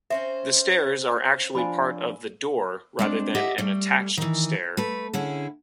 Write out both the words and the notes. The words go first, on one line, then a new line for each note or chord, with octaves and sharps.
The stairs are actually part of the door rather than an attached stair.
C4 C#4 C5 E5
F3 D4 F4 G#5 B5
G#3 C4 D4
G4 D#5 E5 F#5
G3 A3
D#3 E3
A3 B4
D3 C#4 E4 G#4